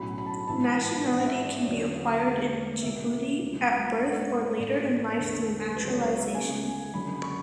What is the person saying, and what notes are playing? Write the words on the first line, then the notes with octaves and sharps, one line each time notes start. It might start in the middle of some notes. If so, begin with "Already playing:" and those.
Nationality can be acquired in Djibouti at birth or later in life through naturalization.
Already playing: B1 A2 F#3 C#4 E4 B5
B5
A5
B5
A1 G#2 E3 B3 E4 A5
G#1 G#2 E3 B3 D4 F#5
E5
D5
E2 D3 F#3 C#4 C#5
E2 D3 G#3 D4
B1 B2 A3 E5
C#2 B2 F#3 A3
G#2 G#3 C#4 E4 F#5
E5
C#5
C#5
A1 A2 E3 D5
E2 D3 A3 D4
C#2 C#3 F#3 B4
C#5
C#5
E5
C#2 C#3 G#3 B3 G#5
F#1 F#2 D3 B5
C#6